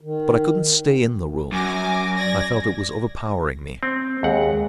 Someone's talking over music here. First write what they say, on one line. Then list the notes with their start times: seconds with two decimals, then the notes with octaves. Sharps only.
But I couldn't stay in the room; I felt it was overpowering me.
0.01 D#3
1.52 F#2 G#5 D6 A#6
2.16 D5 G#6 A#6
3.83 C4
4.23 D#2 G#3 F#5